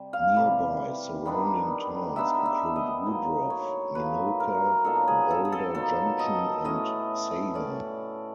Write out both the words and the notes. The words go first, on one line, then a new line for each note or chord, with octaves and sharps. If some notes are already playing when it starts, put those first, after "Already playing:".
Nearby surrounding towns include Woodruff, Minocqua, Boulder Junction, and Sayner.
Already playing: C3 G3
F5
C3 E3 G3
D#3 G3 B3 D4
D#3 G3 B3 D4 E5
E5
D#5
A2 F#3 A#3 D#4
C#5
A2 F#3 A#3 D#4 B4
A#4
A#2 F#3 B3 D#4 A4
G#4
A4
G#4
A4
A#2 F#3 B3 D#4 A4
D#5
A2 E3 A3 C#4 D#5
A2 E3 A3 C#4 D5